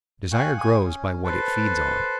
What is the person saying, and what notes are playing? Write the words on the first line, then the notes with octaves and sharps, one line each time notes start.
Desire grows by what it feeds on.
F5 G5 G#5 C#6 F#6
G#5 D#6
C#4
A4 B4 C5